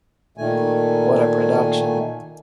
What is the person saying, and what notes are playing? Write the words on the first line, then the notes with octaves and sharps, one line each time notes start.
What a production!
A#2 D#3 A3 G#5